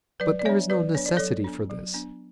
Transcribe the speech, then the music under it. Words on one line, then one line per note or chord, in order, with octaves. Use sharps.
But there is no necessity for this.
F#3 B4 D5
D5
B3 D4 C#5 E5
F#3 B4 D5
B3 D4 C#5
D5
F#3 A4 C#5
B3 D4
F#3
B3 D4